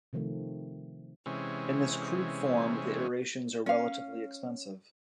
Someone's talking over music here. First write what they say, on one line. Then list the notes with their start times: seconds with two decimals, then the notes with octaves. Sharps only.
In this crude form the iterations are relatively expensive.
0.13 C3 D#3 F3 A3 C4
1.26 C3 E3 G#3 C#4
3.66 C#4 F5